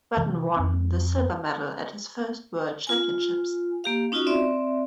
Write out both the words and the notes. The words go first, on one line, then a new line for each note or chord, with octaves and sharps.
Button won the silver medal at his first World Championships.
C3 E3 G3
F2 C4
F4 G#5
A#3 G4 F5
C#4 D#4 F4 F#4 D#5
C4 D5 E5